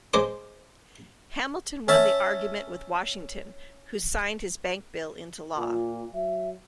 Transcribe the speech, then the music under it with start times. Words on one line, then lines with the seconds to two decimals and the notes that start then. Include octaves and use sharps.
Hamilton won the argument with Washington, who signed his Bank Bill into law.
0.14 G#3 C5 D6
1.88 C#4 E5 A5
5.58 A#2 F4
6.14 F#3 E5